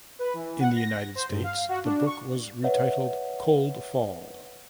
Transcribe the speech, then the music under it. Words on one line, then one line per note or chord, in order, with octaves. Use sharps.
In the United States, the book was retitled "Cold Fall".
B4
E3
F#5
A#6
C5
G2
F5
F#4
D4
C#6
B4 C#5 D#5 E5 F#5